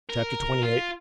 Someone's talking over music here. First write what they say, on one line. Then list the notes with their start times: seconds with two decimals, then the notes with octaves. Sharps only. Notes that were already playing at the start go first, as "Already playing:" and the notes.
Chapter XXVIII.
0.10 A#4
0.63 F4